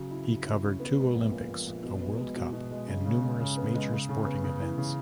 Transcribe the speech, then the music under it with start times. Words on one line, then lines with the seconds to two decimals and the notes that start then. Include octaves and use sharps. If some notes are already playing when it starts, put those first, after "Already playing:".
He covered two Olympics, a World Cup and numerous major sporting events.
Already playing: C#3 F#3
0.11 E4
0.29 C#3
0.46 E4
0.63 C#4
0.80 B3
0.98 G#3
1.15 A#1
1.32 A#2
1.50 A#1
1.67 A#1
1.84 B2
2.01 B3
2.18 G#3
2.37 B2
2.53 B2
2.71 G#3
2.88 C#3
3.06 C#3
3.23 G#3
3.40 C#3
3.57 B3
3.74 G#3
3.92 C#3
4.09 C#3
4.26 B3
4.44 C#3
4.61 E3
4.78 C#3